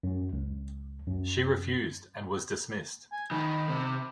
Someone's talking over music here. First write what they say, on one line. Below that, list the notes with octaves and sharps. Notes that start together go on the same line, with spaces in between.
She refused and was dismissed.
F#2
C#2
F#2
G#5
D#3 B5
C3